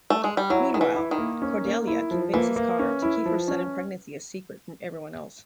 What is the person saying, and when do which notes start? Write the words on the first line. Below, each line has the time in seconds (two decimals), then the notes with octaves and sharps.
Meanwhile, Cordelia convinces Connor to keep her sudden pregnancy a secret from everyone else.
0.10 A3
0.24 G#3
0.37 G3
0.50 F#3 E4
0.73 D#3 E4
0.81 E3
0.96 E4
1.11 D#3
1.19 A#3
1.42 C#4
1.65 A#3
1.87 E4
2.11 F3
2.34 E3 A#3
2.56 A#3
2.79 C#4
3.02 E4
3.26 F3
3.48 C#4